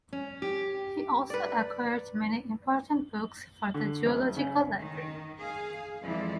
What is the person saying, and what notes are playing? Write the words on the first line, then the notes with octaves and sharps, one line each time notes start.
He also acquired many important books for the zoological library.
C#4
G4
B4 D5
D3
F#1
C#3
D#3
G#4 F5
F2 E3 F3 G#3 D5